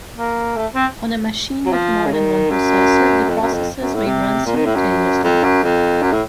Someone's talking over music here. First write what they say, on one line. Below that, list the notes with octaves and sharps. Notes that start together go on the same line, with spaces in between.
On a machine with more than one processor, the processes may run simultaneously.
A#3
A3
C4
F#3
F3
C#3
D#3
F#2
F2
F#2
F2
F#2
A2
C3
A#2
D#3
A2
F#2
F2
F#2
F2
F#2
A2